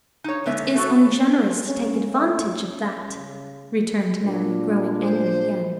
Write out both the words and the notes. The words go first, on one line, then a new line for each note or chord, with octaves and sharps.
"It is ungenerous to take advantage of that," returned Mary, growing angry again.
D#4 C#5
D3 G#3 E5
A3 C#4 F#4 A4
C#4
A3
C#4
C#3
A#2 D4
C5